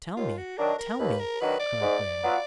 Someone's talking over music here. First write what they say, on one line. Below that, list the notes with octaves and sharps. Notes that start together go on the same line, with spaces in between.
"Tell me, tell me!" cried Graham.
D#2 F4
F#4
D#3 F#3 D4 A#4
A#4
D#2 B4
A#4
D#3 F#3 D4 B4
D5
G#2
F#3 B3 F4